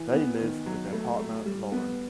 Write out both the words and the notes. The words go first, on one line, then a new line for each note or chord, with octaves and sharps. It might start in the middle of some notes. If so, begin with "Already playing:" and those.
They live with their partner Lauren.
Already playing: E3
B3
D#3
F#3
A3
A3
G3
B3